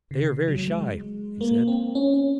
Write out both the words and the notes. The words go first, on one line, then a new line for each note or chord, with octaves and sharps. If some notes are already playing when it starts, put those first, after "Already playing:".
"They are very shy," he said.
C#3
F#3
F#3
G#3
A#3
C4
C#4
C#4